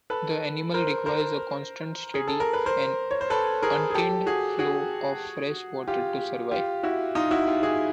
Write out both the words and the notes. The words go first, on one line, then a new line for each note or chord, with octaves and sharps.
The animal requires a constant, steady, and untainted flow of fresh water to survive.
A4 B4
A#4 C5
A#4 C5
G#4
A4
A#4
B4
A#4 C5
C#5
C5
A4 B4
G#4 A#4
G#4
G4 A4
F#4 G#4
F#4 G#4
F4 G4
F4 G4
E4 F#4
D#4 F4
E4 F#4
F4 G4
F#4 G#4